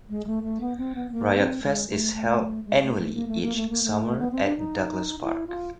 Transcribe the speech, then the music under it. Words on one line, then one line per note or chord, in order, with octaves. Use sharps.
Riot Fest is held annually each summer at Douglass Park.
G#3
A3
A3
B3
C4
B3
A#3
C4
G#3
A3
A3
G#3
A3
A3
A#3
A3
A#3
A3
A#3
A3
B3
C4
D4
D#4
E4
F4